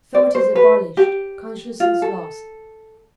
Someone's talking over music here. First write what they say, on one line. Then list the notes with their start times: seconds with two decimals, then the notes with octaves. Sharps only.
Thought is abolished, consciousness lost.
0.15 D5
0.35 C5
0.56 B4
0.97 G4
1.80 F4
2.02 A4